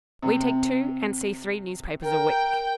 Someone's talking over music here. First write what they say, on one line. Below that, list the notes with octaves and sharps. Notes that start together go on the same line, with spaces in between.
We take two and see three newspapers a week.
C3
A#4 G5